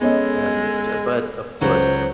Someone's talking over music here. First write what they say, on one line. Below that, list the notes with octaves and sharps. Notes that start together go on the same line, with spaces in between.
and j but, of course,
G#3 B3 C#4 A4 D#5
C#2 F#3 C5